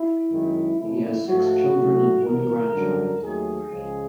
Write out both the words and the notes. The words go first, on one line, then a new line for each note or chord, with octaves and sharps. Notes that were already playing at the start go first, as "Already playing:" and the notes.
He has six children and one grandchild.
Already playing: E4
F#2 D#3 G#3
F2 C#3 E3 A3 E4
G#2 F3 A3 F#4
A2 F#3 A3
C2 C3 E3 A#4
F#2 D3 G3
D#2 D#3 F#3 A3 G#4
C#2 C#3 F3 G#3 G#4